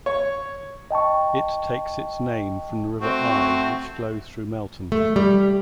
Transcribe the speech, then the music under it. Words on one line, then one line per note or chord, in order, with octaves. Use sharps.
It takes its name from the River Eye which flows through Melton.
C#5
D#5 G5 A5 C#6
A3 C4 F#4
A3
G3